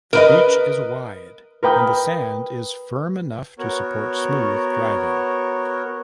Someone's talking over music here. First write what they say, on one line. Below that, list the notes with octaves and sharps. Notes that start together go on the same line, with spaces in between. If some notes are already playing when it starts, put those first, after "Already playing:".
The beach is wide and the sand is firm enough to support smooth driving.
A#4 B4 D#5
A#4 B4 G5 D#6
B3 F#4 A#4 C#5